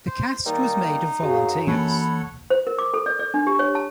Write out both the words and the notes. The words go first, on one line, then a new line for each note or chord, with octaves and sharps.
The cast was made of volunteers.
C5
D#3 G3 A#3 D#4
F#2 F#4 G#4 F5
E3 A#3 D4 A4 C#5 F#5 B5
C5
A#4
D6
A4
D5
D5
D4
G4
C#5
A5